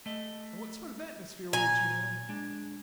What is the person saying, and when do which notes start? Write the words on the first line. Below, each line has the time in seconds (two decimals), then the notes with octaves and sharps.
And what sort of atmosphere would you have?
0.06 A3 D#5
1.53 A#2 D5 G#5 A#5
2.29 G#3 D4